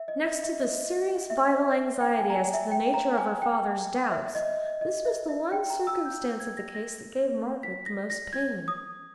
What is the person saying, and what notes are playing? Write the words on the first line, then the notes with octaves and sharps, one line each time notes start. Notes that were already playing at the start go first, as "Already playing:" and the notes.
Next to the serious vital anxiety as to the nature of her father's doubts, this was the one circumstance of the case that gave Margaret the most pain.
Already playing: E5
D#5
E5
E5
D#5
E5
G5
G#5
A#5
G#5
E5
G5
A#5
G#5
G5
E5
E5
D#5
D#5
E5
E5
G5
A#5
E6
G6
G6
G#6
A#6
A#6
B6
A#6
A#6
G#6
D#6